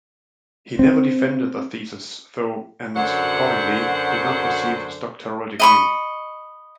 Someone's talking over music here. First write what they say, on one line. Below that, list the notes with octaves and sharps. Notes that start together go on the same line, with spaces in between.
He never defended the thesis, though, and accordingly, did not receive his doctoral degree.
C4
F#2 D3 F#3 C5 F#5
D#5 B5 C#6